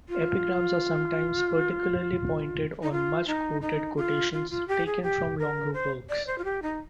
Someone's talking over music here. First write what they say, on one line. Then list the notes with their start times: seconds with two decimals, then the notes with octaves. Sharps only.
Epigrams are sometimes particularly pointed or much-quoted quotations taken from longer works.
0.09 F4
2.83 D#4
2.92 F4
3.27 D#4
3.62 D#4
3.97 F4
4.33 F4
4.51 F4
4.68 G4
4.86 G#4
5.03 G4
5.39 A#4
5.74 C5
6.09 D5
6.27 C5
6.38 F4
6.45 G4
6.63 D#4